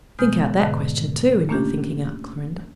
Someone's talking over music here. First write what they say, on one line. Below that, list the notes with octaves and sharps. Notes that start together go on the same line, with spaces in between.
"Think out that question, too, in your thinking out, Clorinda."
B2 G#3 B3 D#6 F6 G6
G#2 B2 D3 D#5 A5
A3 A#3 C#4 D4 F4 G4